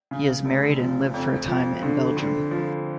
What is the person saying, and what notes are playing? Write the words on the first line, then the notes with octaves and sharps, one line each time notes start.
He is married and lived for a time in Belgium.
C#3
F1
F3
F2
F3
D3
D3
F3